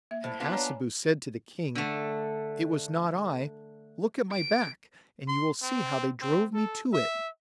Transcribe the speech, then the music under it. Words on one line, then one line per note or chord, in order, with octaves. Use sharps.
And Hassebu said to the King: 'It was not I: look at my back and you will see how they drove me to it.'
A#3 E5
A2 C5
B3 D4 F4
C#5 D5 A#5
G#5
D3 A3
D7
C6
C4
C4
A4
E5